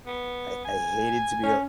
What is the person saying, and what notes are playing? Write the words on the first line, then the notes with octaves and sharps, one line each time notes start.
I I hated to be a
B3
G#5
C#4